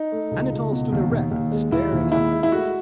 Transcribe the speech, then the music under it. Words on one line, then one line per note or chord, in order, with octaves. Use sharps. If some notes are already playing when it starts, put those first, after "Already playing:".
Anatole stood erect with staring eyes.
Already playing: D#4
A3
C#2
C#2
B2
D#2
D#2
D#2
G#3
D#2 E4
D#2
G#3 E4
G#3
E4
A3 F#4